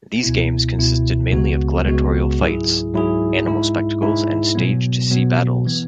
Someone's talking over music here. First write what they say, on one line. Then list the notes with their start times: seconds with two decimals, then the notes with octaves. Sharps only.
These games consisted mainly of gladiatorial fights, animal spectacles and staged sea battles.
0.23 C#2 B2 B3 E4
0.78 C#2 B2 B3 E4
1.31 C#2 C#3 G#3 B3 F#4
1.85 C#2 C#3 G#3 B3 F#4
2.40 G#2 F#3 E4 G#4
2.94 G#2 F#3 E4 G#4
3.47 G#2 G#3 E4
4.02 G#2 G#3 E4
4.55 B2 F#3 B3
5.10 B2 F#3 B3
5.65 E3 B3